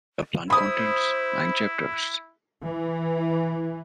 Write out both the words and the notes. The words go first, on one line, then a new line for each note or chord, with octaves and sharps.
The Plan contains nine chapters.
E4 C5 B5 D#6
E3